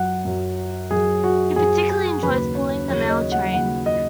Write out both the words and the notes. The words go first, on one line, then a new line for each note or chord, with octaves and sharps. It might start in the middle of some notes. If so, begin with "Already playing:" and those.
He particularly enjoys pulling the mail train.
Already playing: F#2 F#3 F#5
F#2 F#3
F#2 F#3 G#4
F#4
F#2 F#3 G#4
G#4
D#2 C#3 F#3 B4
C#5
D#2 C#3 F#3 C#5
D#5
F#5
D#2 C#3 F#3 F#5
D#5